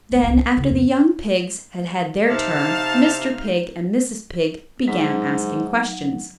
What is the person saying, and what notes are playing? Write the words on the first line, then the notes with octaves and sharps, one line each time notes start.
Then, after the young pigs had had their turn, Mr. Pig and Mrs. Pig began asking questions.
F2 A3
E1 C2
D4
C#3 D#4
F2
C3 D#4 F5 A5 F6
G#2 F#3 D#4